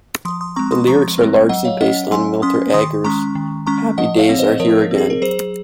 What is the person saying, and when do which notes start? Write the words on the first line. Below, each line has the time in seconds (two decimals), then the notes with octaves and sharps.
The lyrics are largely based on Milton Ager's Happy Days Are Here Again.
0.25 F3 C6 D#6
0.41 C6 D#6
0.56 G#3 C4 A#5 C#6
0.72 C6 D#6
0.87 F3 A#5 C#6
1.18 G#3 C4
1.49 F#3 D#5 F#5
1.65 C#5 F5
1.81 C#4 D#5 F#5
2.11 F#3 G#5 C6
2.42 C#4 C6 D#6
2.74 D#3 C6 D#6
3.04 G#3 C#4 A#5 C#6
3.35 D#3
3.66 G#3 C#4 A#5 C#6
3.98 F3 D#5 F#5
4.18 C#5 F5
4.29 C4
4.39 C5 D#5
4.60 F3 A#4 C#5
4.91 C4
4.98 G#4
5.10 A#4
5.22 F#3 G#4 C5